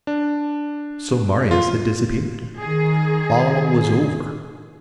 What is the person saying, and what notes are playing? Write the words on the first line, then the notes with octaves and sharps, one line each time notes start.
So Marius had disappeared; all was over.
D4
F4
D#3 G#4